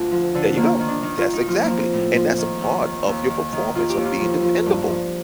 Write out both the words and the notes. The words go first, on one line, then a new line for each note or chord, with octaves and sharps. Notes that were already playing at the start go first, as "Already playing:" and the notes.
There you go. That's exactly and that's a part of your performance of being dependable.
Already playing: D2 F4
F3
D3
D#3 A#3
D#3
D4
D#3 D#4
F4
D#3
D#4
F3 F4
A#3
F3
C4
A2
F3
D#3
D#2
D#3
D#2
D#3
D#3
D#3 F4
G4
D#2
F4
F3
F3
G2
F3